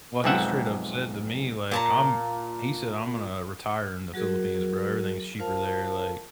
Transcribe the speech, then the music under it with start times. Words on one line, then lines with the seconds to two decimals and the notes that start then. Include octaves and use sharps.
Well, he straight up said to me like, "I'm" he said "I'm gonna retire in the Philippines, bro, everything is cheaper there, like
0.24 B1 F2 G#2 C4 E5 F#5
1.71 A#2 A5 A#5
4.14 F#3 F#4 G#4 A#4
5.39 F4 A#4 C5 F5 A5